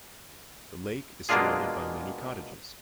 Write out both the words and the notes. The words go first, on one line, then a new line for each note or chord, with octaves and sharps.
The lake is surrounded by many cottages.
B2 G#3 A#3 D4 F4 G#4